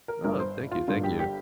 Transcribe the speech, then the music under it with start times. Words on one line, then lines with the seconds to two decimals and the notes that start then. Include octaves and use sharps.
Oh, thank you, thank you.
0.08 A#4
0.24 G1 G2 D3 A#4
0.40 C5
0.71 F4
0.88 G1 G2 D3 A#3 D4 F4
1.04 G4
1.19 G4